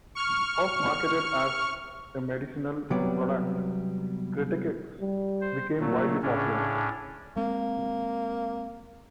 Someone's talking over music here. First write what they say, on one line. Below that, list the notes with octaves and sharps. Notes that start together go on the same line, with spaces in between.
First marketed as a medicinal product, kreteks became widely popular.
C#6 F6
C3 F#3 G3 B3 D5
G3
C5
A#2 F#3 A3
A2 C#3 C#4 D4
G#3 A#3 C4